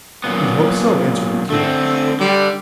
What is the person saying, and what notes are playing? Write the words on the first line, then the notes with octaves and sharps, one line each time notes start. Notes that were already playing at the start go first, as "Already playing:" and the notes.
"We hope so," answered the curates.
F#2 A#2 B3
D3 A3 C4
D3 G3